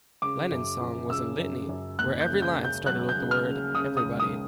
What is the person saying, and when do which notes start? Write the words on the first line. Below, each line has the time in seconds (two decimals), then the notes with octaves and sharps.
Lennon's song was a litany where every line started with the word "everybody".
0.22 C#3 D6
0.52 F#2
0.80 F3
1.10 C#3 E6
1.39 F#2
1.69 F#2
1.99 D#2 F#6
2.21 G6
2.28 C#3
2.42 G6
2.57 C#3
2.65 G6
2.86 F#3 F#6
3.09 G6
3.16 C#3
3.31 F6
3.45 C#3
3.75 C#3 D#6
3.97 D#6
4.05 C#2
4.20 D#6